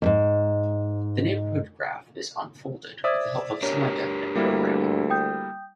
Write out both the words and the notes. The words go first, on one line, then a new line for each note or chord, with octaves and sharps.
The neighbourhood graph is "unfolded" with the help of semidefinite programming.
D#2 G#2
C5 D5 E5 D#6 G#6
D4 G4 A#4 C#5
D2 G3 A#3 E4
G5 D#6 G6